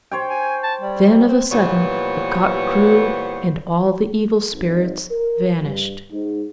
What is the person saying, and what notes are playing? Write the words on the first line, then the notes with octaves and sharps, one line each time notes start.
Then of a sudden the cock crew, and all the evil spirits vanished.
C5 C#5 G5
G#5
A5
G3
C4
A#2 E3 G3 B3 C5 C#5
G#1
A#4
G2
G#2